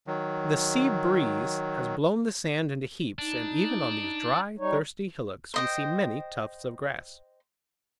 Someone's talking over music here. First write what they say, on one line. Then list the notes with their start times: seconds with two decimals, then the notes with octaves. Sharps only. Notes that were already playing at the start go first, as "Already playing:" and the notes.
The sea breeze has blown the sand into heaps, and even on these dry, thirsty hillocks we see many tufts of grass.
0.07 D#3 F#3
3.19 D4 D#4
4.59 G3 D#4 C#5
5.54 C5 D#5 G5